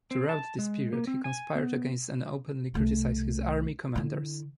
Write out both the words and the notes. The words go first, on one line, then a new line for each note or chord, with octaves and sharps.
Throughout this period, he conspired against and openly criticized his army commanders.
C4
A5
G#3
A#3
C4
G#5
B3
C2 A3
D3 E4